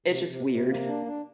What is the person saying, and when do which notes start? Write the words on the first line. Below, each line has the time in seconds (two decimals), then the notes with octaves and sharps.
It's just weird.
0.06 C3
0.26 C3
0.46 C3
0.67 A#3
0.86 D4
1.06 D4